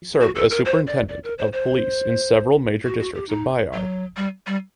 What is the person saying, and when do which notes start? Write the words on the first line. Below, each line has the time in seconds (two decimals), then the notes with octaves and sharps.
He served as superintendent of police in several major districts of Bihar.
0.21 F#4
0.35 A4
0.51 A#4
0.65 C5
0.87 D5
1.08 D5
1.24 A#4
1.38 C5
1.53 C5
2.85 F#4
2.99 F#4
3.14 G4
3.29 D#4
3.73 F#3
4.17 G3
4.47 G3